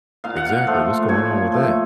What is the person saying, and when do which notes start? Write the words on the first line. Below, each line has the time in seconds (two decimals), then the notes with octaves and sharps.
Exactly, what's going on with that?
0.24 A#2 F5
0.36 F#5
0.48 F5
0.67 F3 A3
1.08 A#2 C#5
1.52 F3 A3